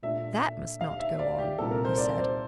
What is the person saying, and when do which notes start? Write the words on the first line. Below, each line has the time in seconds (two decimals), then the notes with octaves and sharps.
"That must not go on," he said.
0.03 A#2 A3 D4 E5
0.81 F5
0.99 E5
1.19 D5
1.38 G4
1.58 C2 A#2 G3 A#3 A4
1.71 A#4
1.84 C5
1.97 D5
2.17 C5